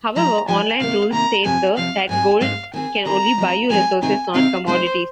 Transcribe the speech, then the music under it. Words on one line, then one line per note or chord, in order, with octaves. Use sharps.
However, online rules state that Gold can only buy you resources, not commodities.
F3 G#3 D#4 A#5
F3 G#3 D#4 G#5
C3 D#3 A#3 F5
C3 D#3 A#3 A#5
F2 C3 F3 G#5
F2 C3 F3 F5
G#2 G#3 C4 G#5
G#2 G#3 C4 F5
D#3 C4 G#4 G#5
D#3 C4 G#4 A#5
F3 G#3 C4
F3 G#3 C4 G#5
C3 D#3 C4 D#4 G#4 G#5
C3 D#3 C4 D#4 G#4 F5
C3 G#3 C4 D#4 C5